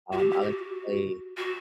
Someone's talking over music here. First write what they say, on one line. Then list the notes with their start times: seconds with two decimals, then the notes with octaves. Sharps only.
um, I like to play,
0.12 F#4
0.17 G4
0.30 G4
0.42 F#4
1.37 F#4